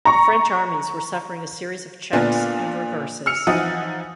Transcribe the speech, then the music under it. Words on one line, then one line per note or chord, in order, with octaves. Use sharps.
The French armies were suffering a series of checks and reverses.
A#5 C#6
A#2 D3 B3 D4 F4
E6 F6 C#7 F7
E3 F3 D#4 F#5 D#6 D#7